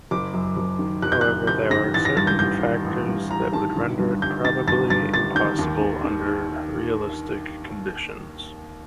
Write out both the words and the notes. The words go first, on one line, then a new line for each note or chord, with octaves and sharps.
However, there are certain factors that would render it probably impossible under realistic conditions.
F#1 D6
F#2
F#1
D#3
F#1 F#6
G6
F#6
F#2
F#1 G6
D#3 A#6
A1 A6
A#6
G2 A6
G6
A1 G6
D#3
A1
G2
A1 A#5
D#3 A5
G1
G2
G1 G6
D#3 A6
G1 A6
G2 A6
G1 A6
D#3 G6
D#2
D#3
D#3